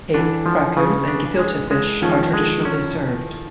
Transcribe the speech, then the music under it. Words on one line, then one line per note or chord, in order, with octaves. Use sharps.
Cake, crackers, and gefilte fish are traditionally served.
D3 E3 D4
F3
C#3
D4
G#3
G#3
D#3 F3 C#4
G#3
C#4